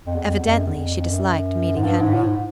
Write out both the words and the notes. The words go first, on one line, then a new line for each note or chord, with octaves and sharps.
Evidently she disliked meeting Henry.
F2
E2
F2
E2
F2
F#2
E2
F2
F2
F#2
G#2
G2
G#2
A2
G#2